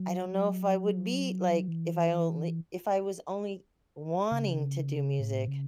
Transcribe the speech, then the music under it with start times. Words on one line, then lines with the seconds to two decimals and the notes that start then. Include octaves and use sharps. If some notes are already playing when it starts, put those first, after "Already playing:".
I don't know if I would be, like, if I only if I was only wanting to do music
Already playing: F#3
1.68 E3
4.32 C#3
5.20 A2
5.48 C#3